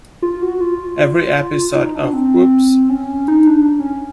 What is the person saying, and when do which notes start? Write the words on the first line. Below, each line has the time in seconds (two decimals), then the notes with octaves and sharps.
Every episode of Woops!
0.22 F4
0.42 F#4
0.61 F4
1.75 D#4
1.95 D4
2.13 C4
2.89 C#4
3.28 D#4
3.47 D4
3.80 C#4